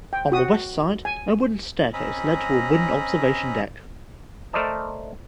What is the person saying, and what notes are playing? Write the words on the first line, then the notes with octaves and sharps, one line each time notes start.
On the west side, a wooden staircase led to a wooden observation deck.
G5
F#4 D#6
G#5
C4 C#4 D#5 A#5 B5
A3 A#4 C5 D5 D#5 A5